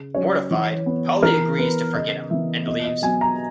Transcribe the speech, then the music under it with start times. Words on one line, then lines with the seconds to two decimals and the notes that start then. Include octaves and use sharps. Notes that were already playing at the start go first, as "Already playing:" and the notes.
Mortified, Polly agrees to forget him, and leaves.
Already playing: C#3
0.14 F#3 C#4 C#5
0.50 E3
0.86 B3
1.23 E3 A#4
1.59 B3 B4
1.94 C#3 D#5
2.30 E3 B3 E5
2.66 B2 D#5
2.85 D#5
3.02 F#3 B3 G#5
3.21 A#5